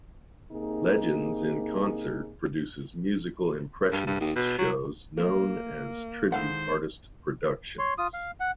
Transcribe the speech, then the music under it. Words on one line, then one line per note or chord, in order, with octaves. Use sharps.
Legends In Concert produces musical impressionist shows known as tribute artist productions.
C3 A#3 D#4 G#4
G2
G2
D#2
B2
F#3
A3 A#3
D#3 G#3 E4 A4 C5 F5 F#5
C#5 C6
F4 D#6
F5
F#5